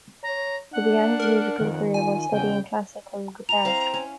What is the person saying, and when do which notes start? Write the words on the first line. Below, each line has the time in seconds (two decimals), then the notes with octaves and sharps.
He began his musical career by studying classical guitar.
0.23 C#5 A#5
0.73 D4 F#5
1.19 A#4
1.61 F2 D#3
1.94 F4 G#5
2.32 E2 C#3 G5
3.49 A#5 F7
3.65 C4 E4 F5
3.94 C#4